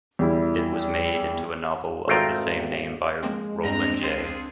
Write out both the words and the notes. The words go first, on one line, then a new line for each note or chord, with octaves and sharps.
It was made into a novel of the same name by Roland J.
E2 G3 E4
G#1 A3 C4 F4 G5 A#5
F3 G#3 A#3 C4
G2 C4 D4 A#5
C#2 B3 F4 G#4 C5